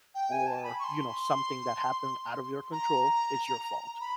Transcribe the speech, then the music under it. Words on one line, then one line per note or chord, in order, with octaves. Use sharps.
or, you know, something that happened out of your control, is your fault.
G5
G#5
A5
B5
C#6
C6
A#5
B5